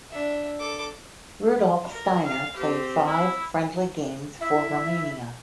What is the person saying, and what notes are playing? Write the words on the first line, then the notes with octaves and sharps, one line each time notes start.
Rudolf Steiner played five friendly games for Romania.
D4 E5
A4 D6
A#4
F5
C4 G4
E4
E4 E5